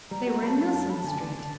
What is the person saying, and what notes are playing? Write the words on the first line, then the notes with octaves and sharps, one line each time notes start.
They were in Milsom Street.
G3 A#5
F#4 A#5
F#3 A5 B5
F#3
F#2 A5
A3 B5
A5
D3 G#5
A5
D3
D3